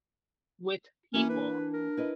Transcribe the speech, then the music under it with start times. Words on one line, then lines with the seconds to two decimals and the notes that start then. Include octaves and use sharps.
with people,
1.14 E3 A#3 C#4 E4 F#4
1.30 D4 B4
1.74 A#4
1.97 E4 B4 D#5